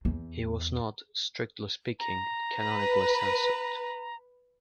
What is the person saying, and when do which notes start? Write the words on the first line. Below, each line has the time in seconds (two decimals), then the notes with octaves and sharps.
He was not, strictly speaking, canonically censored.
0.05 E2
2.00 A#5
2.56 B4